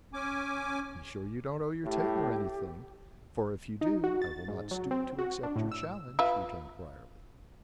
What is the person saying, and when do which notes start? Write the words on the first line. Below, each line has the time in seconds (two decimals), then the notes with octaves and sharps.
"Be sure you don't owe your tailor any thing, for if you do, I will not stoop to accept your challenge," returned Briarly.
0.14 C#4 G#5 D6
1.84 A2 G4
3.81 D#4
4.04 F#4
4.22 A6
4.48 G#2
4.71 F#3
4.91 C4
5.19 F#4
5.43 D4
5.56 A2
5.72 E6
6.19 F4 B4 E5